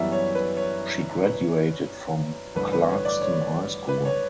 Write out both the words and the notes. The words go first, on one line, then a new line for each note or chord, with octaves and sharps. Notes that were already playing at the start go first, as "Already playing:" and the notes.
She graduated from Clarkston High School.
Already playing: F#2 E3 G3 B3 E5
C#5
B4
C#5
B4
A1 G2 D3 B4
B4
C#5
D5
C#5
B4
C#5